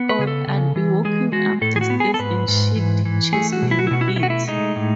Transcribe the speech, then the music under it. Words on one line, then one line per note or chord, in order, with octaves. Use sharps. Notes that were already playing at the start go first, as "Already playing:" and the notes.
Or I'd be walking up the stairs and she'd chase me with it.
Already playing: B3
B4
C#3 G#4
A4
C#3
E3
G#3 G#4
G#3 F#4
A2 A4
G#4
F#4
B3
G#4
A4
G#2 B4
G#2
E3
E3
A3 G#4
F#4
B2
E4
F#4
E4
B2 F#4
E4
F#4
E4
A3 F#4
E4
G#3 D#4
A2